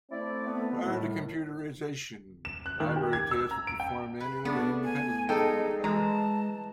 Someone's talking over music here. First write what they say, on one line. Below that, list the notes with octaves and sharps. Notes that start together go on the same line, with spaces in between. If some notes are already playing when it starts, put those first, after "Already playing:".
Prior to computerization, library tasks were performed manually and independently from one another.
A3 C4 E4 D5
B3
A2 D#3 G3
E7
F#6
D#3
G4
G#6
E6
A#5
D7
G5
B4 B5
A3 B3 D4
G#5
G#3 D#4 G#4 A4 G5
E3 G#3 A5 A#5